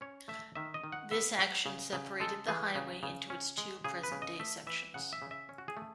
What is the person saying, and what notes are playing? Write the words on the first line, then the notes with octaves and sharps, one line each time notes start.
This action separated the highway into its two present-day sections.
C#4 C#5
A3 E5
D#3 E5
D#5
D#3
F#5
B3 E5
F#3
C#3
C#3
G#3 A4
E3 G#4
C#3
C#3
C#4
G#3
C#3 G#4
B4
C#3
D#5
A3 E5
E3 E5
C#3 F#5
E5
C#3
E5
C#4
F#4
G#4
A3